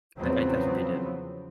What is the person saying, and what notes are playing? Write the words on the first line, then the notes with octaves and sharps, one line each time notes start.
D I I think they did.
E2 C#3 F3 F#3 B3 C4